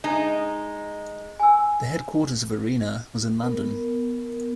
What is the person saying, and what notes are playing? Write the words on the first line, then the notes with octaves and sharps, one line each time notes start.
The headquarters of "Arena" was in London.
G#3 D#4
G#5 E6
B3 A#4